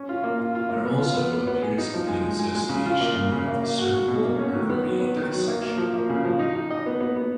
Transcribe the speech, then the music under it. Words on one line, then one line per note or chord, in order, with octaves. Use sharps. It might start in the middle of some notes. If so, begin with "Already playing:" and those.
There also appears to be an association with cervical artery dissection.
Already playing: C#4
F4
A#3
F4
F4
A#3
B3
F4
B3
B3
B3
G#4
D#4
F3
G#3
G#3
G#3
G#3
C#3
F4
A#3
A#3
C#3
A#3
A#3
F#4
F#4
B2
A#3
C#4
D#3
B3
F#3
B3
D#3
F#3
A#3
A#3
F3
A#3
C#3
F3
D#4
D#4
D#5
B3
B3
B3